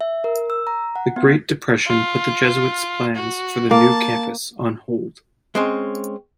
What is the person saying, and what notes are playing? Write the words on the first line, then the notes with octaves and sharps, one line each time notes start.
The Great Depression put the Jesuits plans for the new campus on hold.
E5
A#4
E6
A#5
F#5
B3
F4
F#4
A#3 A5
G#3 C4 C#4